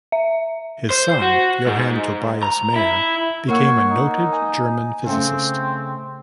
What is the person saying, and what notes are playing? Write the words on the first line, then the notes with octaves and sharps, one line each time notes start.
His son Johann Tobias Mayer became a noted German physicist.
E5
C5
F#4
G#2
A#5
E4
A#3 A#4 C#5 F#5 E6
D#4
G#5
C#3 A3 C4